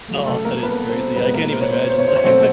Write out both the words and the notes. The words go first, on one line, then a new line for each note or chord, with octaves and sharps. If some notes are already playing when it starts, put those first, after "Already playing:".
Oh, that is crazy. I can't even imagine like,
C#3 F#3 A3
A3 A4
A#3 A#4
B3 B4
C4 C5
A#2 F3 G#3 B3 B4
A#3 A#4
C5
C#5
C5
C#5
C5
C#5
C5
C#5
B2 F#3 A3 C4 C5